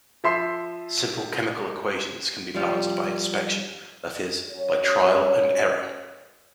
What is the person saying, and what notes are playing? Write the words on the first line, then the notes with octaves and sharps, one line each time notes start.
Simple chemical equations can be balanced by inspection, that is, by trial and error.
F3 E5 C6 C7
F3 G3 F4
F#2 C#5